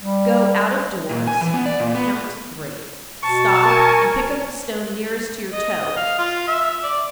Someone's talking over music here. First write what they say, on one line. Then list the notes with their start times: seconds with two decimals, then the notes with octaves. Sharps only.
Go out of doors, count three, stop and pick up the stone nearest to your toe.
0.02 G3
1.11 A#2
1.27 G#5
1.41 E3
1.54 B3
1.66 D5
1.80 A#2
1.95 B3
3.23 B2 A5 C#6
3.68 A#4 G#5
5.53 D#5
5.96 F5
6.19 F4
6.48 E5
6.84 D5